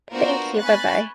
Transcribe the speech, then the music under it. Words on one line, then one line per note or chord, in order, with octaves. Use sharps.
thank you, bye-bye.
B3 D4 F4 F#4 A#4 C5
G#5 B5 C#6 F#6 A6